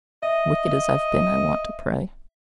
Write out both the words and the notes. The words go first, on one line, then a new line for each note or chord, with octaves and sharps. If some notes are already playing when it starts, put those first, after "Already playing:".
Wicked as I've been, I want to pray.
D#5 E5